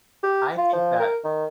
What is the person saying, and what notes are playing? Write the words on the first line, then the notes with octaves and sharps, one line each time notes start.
I think that
G4
F4
F3
A#4
D#3